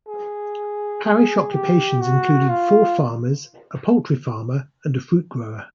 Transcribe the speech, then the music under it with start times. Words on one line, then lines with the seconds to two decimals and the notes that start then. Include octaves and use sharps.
Parish occupations included four farmers, a poultry farmer, and a fruit grower.
0.08 G#4
1.05 G#4
1.53 G4
2.01 F#4
2.49 F4